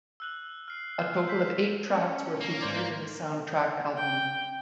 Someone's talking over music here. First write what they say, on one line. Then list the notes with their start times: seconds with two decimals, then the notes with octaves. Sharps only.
A total of eight tracks were featured in the soundtrack album.
0.20 E6 F#6 F#7
0.68 F6 C7
1.28 G6 B6
1.97 C#4
2.41 A#3
2.61 G#2 C5 D5
3.97 G5